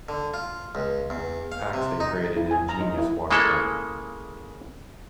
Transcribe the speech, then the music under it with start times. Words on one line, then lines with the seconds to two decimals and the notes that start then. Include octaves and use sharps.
Paxton created an ingenious water park.
0.09 D3
0.34 F4
0.75 C#2
1.10 E2
1.52 F5
1.73 C3
2.00 D#4
2.36 E4
2.51 G#5
2.69 A#5
2.81 D#4
2.98 E4
3.31 C#3 G#3 A#3 E4 A4